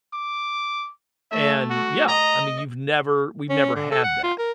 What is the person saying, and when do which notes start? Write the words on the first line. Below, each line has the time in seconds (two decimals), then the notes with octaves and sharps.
and Yeah, I mean, you've never we've never had that
0.14 D6
1.31 A3 E5
1.70 F#4
2.08 D#5 A#5
3.50 C#4
3.75 D3
3.91 A4
4.04 F#5
4.23 F4
4.38 A#4